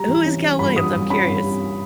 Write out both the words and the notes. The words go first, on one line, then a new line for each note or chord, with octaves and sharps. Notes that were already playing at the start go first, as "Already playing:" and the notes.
who is Cal Williams, I'm curious?
Already playing: G3 A#5
E3
C#4
G3
G2 B5
G2 D#6
G2 D#6
C#4 B5
G2
G3